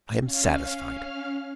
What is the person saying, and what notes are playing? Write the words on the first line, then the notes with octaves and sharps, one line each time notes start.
I am satisfied.
C#4 F5 F6